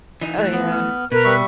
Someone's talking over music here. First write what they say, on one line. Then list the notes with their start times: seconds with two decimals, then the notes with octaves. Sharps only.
Oh, yeah.
0.21 E3 D#4
0.38 E3 A3
0.53 B3
0.69 F6
1.12 B2 A#4 B4
1.25 G3 E5 C#6